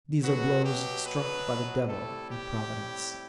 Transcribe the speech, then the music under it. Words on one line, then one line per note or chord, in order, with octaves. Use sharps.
These are blows struck by the devil at Providence.
B2 F#3 B3 F#4
G4
B3 B4
A2 G3 A3 C4 E4 A4
G4